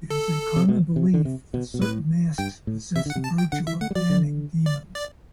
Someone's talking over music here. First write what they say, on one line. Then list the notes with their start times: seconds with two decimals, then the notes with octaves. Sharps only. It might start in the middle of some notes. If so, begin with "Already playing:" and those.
It is a common belief that certain masks possess the virtue of banning demons.
0.10 A4
0.56 C3
0.68 B2
0.96 C3
1.14 D3
1.25 C3
1.54 B2
1.74 B2
1.81 A2 B4
2.38 G2 G5
2.67 A2
2.96 C3 E5
3.06 D3 F#5
3.16 C3
3.24 A5
3.38 G5
3.52 D3 F#5
3.67 E3 E5
3.81 A3 F#5
3.91 G3
3.95 F#3 D5
4.10 D3
4.66 D5
4.95 D5